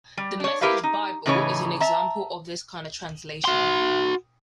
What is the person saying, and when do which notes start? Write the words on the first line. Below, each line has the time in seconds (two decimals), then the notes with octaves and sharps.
The Message Bible is an example of this kind of translation.
0.17 G3
0.40 D4 C#5
0.61 E4 G4 A#4 B4 E5 F5
0.83 D#4
1.26 A2 C#3 E3 D#4 C#5
1.80 E5 A5 A#5
3.45 F#4 C6